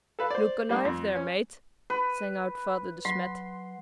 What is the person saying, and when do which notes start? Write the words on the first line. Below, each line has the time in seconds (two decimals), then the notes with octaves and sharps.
"Look alive there, Mate!" sang out Father De Smet.
0.19 A4 B4 F5
0.30 C5 D5
0.69 G3 A#3 D4
0.85 F2
1.16 C#4
1.90 B4
3.05 F#3 C6